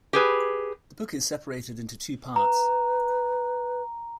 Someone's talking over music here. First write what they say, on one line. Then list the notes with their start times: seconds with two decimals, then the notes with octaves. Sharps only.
The book is separated into two parts.
0.13 G4 G#4 B4
2.36 B4 A#5